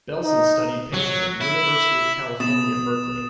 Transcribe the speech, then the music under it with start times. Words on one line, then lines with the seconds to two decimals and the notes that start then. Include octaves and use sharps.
Belson studied painting at the University of California, Berkeley.
0.22 D#4
0.94 F#3
1.41 E4
2.40 B2 D#6 A6 E7